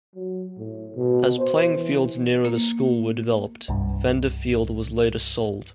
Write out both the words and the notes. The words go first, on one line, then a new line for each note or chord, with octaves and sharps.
As playing fields nearer the school were developed, Fender Field was later sold.
F#3
A2
B2
C5
E3
A#3
C2 G2